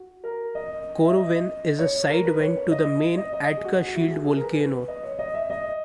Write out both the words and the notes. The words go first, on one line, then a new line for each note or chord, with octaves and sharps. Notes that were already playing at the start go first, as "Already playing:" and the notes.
Korovin is a side vent to the main Atka shield volcano.
Already playing: F#4
A#4
D#5
E5
D#5
C#5
A#4
B4
C#5
D#5
D#5
D#5
G#4
F#4
F#4
E4
G#4
G#4
A#4
B4
D#5
C#5
D#5
E5
D#5